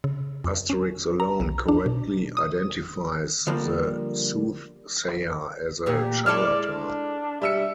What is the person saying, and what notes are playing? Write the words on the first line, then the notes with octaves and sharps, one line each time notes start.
Asterix alone correctly identifies the soothsayer as a charlatan.
C#3
F2
C#4
A#5
B1
D4
B2
D#6
D3 F3 G3 A#3
E2 A#2 G4
G#3 E4 A4 D5 F6
D4
G3 E5 E6 C#7